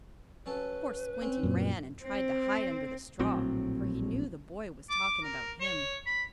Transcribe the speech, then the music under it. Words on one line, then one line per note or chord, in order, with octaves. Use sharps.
Poor Squinty ran and tried to hide under the straw, for he knew the boy was talking about him.
F#3 C#4 A4 B4
C4 C#4
F#2 A#2
C4
A#1 A2 F#3 C4
D6
A#4
C#5
B5